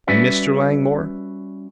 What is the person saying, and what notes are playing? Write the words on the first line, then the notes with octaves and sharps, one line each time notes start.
"And Mr. Langmore?"
G3 C#4 F#4 B4 D5 E5